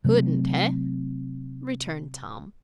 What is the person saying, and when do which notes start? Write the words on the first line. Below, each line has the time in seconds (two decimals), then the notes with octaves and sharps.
"Couldn't, heh?" returned Tom.
0.04 C3 F#3 A3 C4